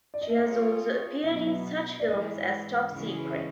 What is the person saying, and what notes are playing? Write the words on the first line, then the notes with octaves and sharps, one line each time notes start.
She has also appeared in such films as Top Secret!
D5
D#5
E5
A3 C4 F4 G#4 C#5 F5
B2 F#3 B3 E5
D#5
E5
D5
G#2 E3 G#3 D#5
C#3 E3 G#3 C#4
E5
D#5